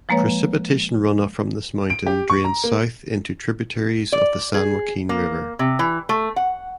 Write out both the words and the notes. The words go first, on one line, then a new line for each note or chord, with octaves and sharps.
Precipitation runoff from this mountain drains south into tributaries of the San Joaquin River.
F3 G#3 A#3 B4 C#5
D7
G4
C#6
A#5
A#3
D5
G#4
A#3
C3
E3
A3
F#5